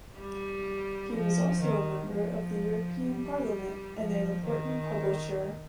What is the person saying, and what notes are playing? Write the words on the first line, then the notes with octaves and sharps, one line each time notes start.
He was also a member of the European Parliament and an important publisher.
G3
F3
D#3
F3
G3
F3
D#3